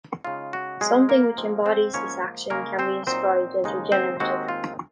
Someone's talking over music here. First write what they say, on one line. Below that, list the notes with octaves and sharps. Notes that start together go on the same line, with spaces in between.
Something which embodies this action can be described as regenerative.
C#3 G#3 D#4 F4
F#4
F2 C3 F#3 G#3 G#4
A#3 A#4
G#2 F3 G#3 C4
C4 C5
G#2 F3 A#3 C#4 F4 C#5
C#3 G#3 A#3 C#4 F4 A#4
C4 C5
A#2 F#3 C4 D#4 C5
D#2 C#3 G#3 D#4
C4 C5
D#2 D#3 G#3 C4 F#4
F4